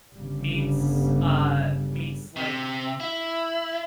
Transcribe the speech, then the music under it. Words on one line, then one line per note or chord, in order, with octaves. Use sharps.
meets, uh, meets, like,
G1 C#3 G3
C3
E4